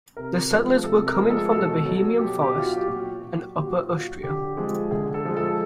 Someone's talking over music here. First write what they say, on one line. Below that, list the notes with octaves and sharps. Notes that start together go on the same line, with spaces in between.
The settlers were coming from the Bohemian Forest and Upper Austria.
C3 A#4
F3 G#3
C3 A4
A#4
F3 G#3
A4
B2 A4
F#3
B2 G4
G4
F#3 F4
F#4
G4
A#2 F#4
F#3
A#2 G4
F#4
F4
F#3 F#4
D3 G4
F3 G#3
D3 G#4
A4
F3 G#3
A4